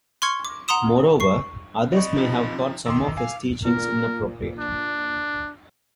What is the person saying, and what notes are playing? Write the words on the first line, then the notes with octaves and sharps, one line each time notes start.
Moreover, others may have thought some of his teachings inappropriate.
C6 C#6 F6 G#6 C#7
D6
F#5 A#5 C6 D#6 E7
C#6 C7
C4 D5 D#5 C#6
C3 F3 D#4
D#3 C6 D6 E6
F5 G#5
A#2 A#4
D4